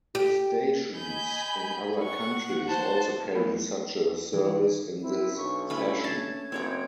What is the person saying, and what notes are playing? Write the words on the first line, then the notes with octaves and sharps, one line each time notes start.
Stations in other countries also carry such a service in this fashion.
G4
D#5 G#5 B5 G6
F#5 C#6
C5 A5
F#3 A3 B3 A#4 B5
E3
C4 E4
B1 D4 C#6
A3 C#4 E4 B5
A5 G#6
F#1 C4 C#5 G5